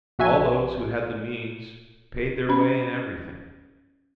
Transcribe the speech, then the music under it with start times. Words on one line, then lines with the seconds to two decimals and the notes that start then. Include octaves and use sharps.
All those who had the means paid their way in everything.
0.19 A#1 F#4 E5 G#5
2.49 C#4 B5